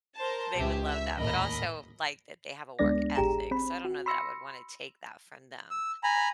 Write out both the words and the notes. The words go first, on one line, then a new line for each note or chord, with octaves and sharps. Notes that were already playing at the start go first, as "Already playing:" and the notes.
they would love that but also like that they have a work ethic, so I don't know that I would wanna take that from them,
A#4 C5 A5
C#2 G4 G#4 E5
E5 E6
D#2 A2 A#4 D#5 B5
D2 G#3 B3 D4 D5 A#6
A1 G4 G#4 A#5 E7
C4 B5
F#4
B5 C6 E6 A#6 C#7
E6
G#5 A#5 B5